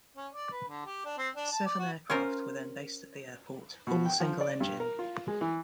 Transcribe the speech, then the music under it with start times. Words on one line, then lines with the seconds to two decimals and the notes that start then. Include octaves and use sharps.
Seven aircraft were then based at the airport, all single-engine.
0.16 C#4
0.33 D5
0.52 B4
0.68 D3
0.86 G4
1.05 D4
1.17 C4
1.35 D4
1.51 A5
1.66 D5
1.79 F#4
2.10 C#4 F4 A#4 C5
3.87 B2
4.06 G5
4.20 F3
4.41 D5
4.60 G2
4.80 A#4
4.99 F4
5.28 G#3
5.41 E3